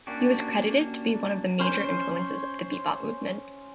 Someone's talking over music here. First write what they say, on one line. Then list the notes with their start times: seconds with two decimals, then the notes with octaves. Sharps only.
He was credited to be one of the major influences of the bebop movement.
0.07 A#3 C#4 D4 F#4 G4
1.59 C#4 C5